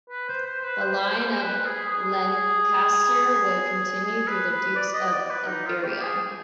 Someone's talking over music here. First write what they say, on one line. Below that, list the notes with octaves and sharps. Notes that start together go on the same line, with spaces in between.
The line of Lencastre would continue through the Dukes of Aveiro.
B4
C5
C5
B4
C5
C5
C5
B4
G#4
G#4
G#4
B4
B4
D5
D#5
D5
B4
D#4
F4
G4
G#4